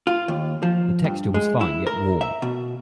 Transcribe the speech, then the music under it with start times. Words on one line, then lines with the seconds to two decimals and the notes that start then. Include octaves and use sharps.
The texture was fine yet warm.
0.07 F4
0.28 D#2
0.63 F3
1.04 G2
1.34 G#3
1.61 E4
1.87 A#4
2.21 E5
2.42 B2